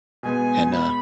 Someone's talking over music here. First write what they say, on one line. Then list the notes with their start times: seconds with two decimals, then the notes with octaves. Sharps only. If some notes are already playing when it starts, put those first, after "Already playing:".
and, uh
0.23 B2 G#3 B3 G#5
0.72 B5